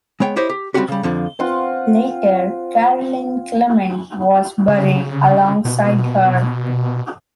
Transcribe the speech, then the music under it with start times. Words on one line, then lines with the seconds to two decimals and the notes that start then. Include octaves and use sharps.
Later, Caroline Clement was buried alongside her.
0.20 G#3 B3 C#5 G5
0.36 E4 G4 C5 C#5 D#5
0.49 G4
0.74 G3 A#3 C4 C#4 F#4 G4
0.88 C#3 G3
1.03 F2 D3 F3
1.39 C4 F4 F#5 C#6
4.68 C#3
5.65 B2